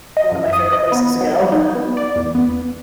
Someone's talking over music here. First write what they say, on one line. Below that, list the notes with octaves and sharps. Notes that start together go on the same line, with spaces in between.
one of my favorite places to go.
D#5
F#2
D#6
D#5
B3
F#3
D#4
B3
D5
E2
B3